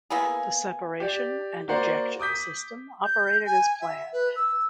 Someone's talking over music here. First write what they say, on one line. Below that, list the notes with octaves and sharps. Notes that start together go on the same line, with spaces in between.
The separation and ejection system operated as planned.
A#3 B3 E4 G#4
G4 D5
A#3 F#4 C5 D5 F#5 A#5
D6 D#6 G6 B6
G6
G#5
E5
B4
E6